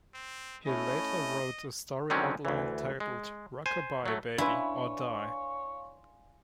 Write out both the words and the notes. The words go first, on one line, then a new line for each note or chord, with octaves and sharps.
He later wrote a story outline titled Rock-A-Bye Baby, or Die!
C4
A3 C#4 E4 D#5
D3 D#3 F#3 C4 C#4
D2 E3
G#3
C5 G#5
F#3 A3
D4 E4 B4 C#5 F5 G#5 C6